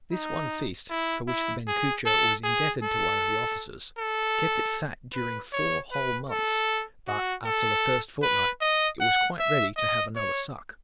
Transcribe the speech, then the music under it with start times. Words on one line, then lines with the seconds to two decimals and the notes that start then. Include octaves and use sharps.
This one feast, for which the benchuca was indebted to one of the officers, kept it fat during four whole months; but, after the first fortnight, it was quite ready to have another suck.
0.12 D#4
0.90 E4
1.28 E4
1.67 G#4
2.06 A4
2.44 G#4
2.83 A4
3.99 A4
5.14 B4
5.53 C#5
5.91 B4
6.29 A4
7.07 F#4
7.45 A4
8.22 B4
8.61 D#5
9.00 F#5
9.39 E5
9.77 D#5
10.16 C#5